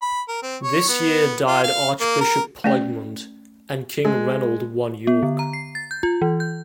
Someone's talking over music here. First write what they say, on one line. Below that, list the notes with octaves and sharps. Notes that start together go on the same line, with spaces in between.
This year died Archbishop Plegmund; and King Reynold won York.
B5
A#4
C4
C#5
B3
F4
F5
A#3
A#4
A3 C#4 D5 G5
G#3
B3
D3
A#5
C7
A6
G6
F4
E3
G6